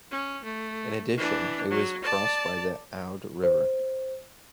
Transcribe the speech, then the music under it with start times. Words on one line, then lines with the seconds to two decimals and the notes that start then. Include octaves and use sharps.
In addition, it was crossed by the Aude River.
0.11 C#4
0.44 A3
1.17 E3 D4
1.70 F#3
2.03 D5 A5
3.43 C5